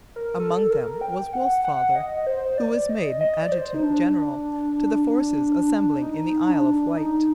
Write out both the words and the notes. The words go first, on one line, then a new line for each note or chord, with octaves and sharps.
Among them was Wolfe's father, who was made adjutant-general to the forces assembling in the Isle of Wight.
A#4
A4
A#4
G5
F#5
F#5
D#5
C5
D5
D#5
D#5
D5
C5
D#4
D4
D#4
D4
D#4